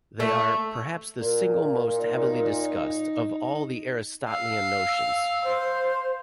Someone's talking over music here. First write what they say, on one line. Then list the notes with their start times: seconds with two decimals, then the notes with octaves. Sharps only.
They are "perhaps the single most heavily discussed of all Aristotelian notions".
0.20 A3
1.21 A#2
1.87 D#4
4.29 F5 E6
5.44 C5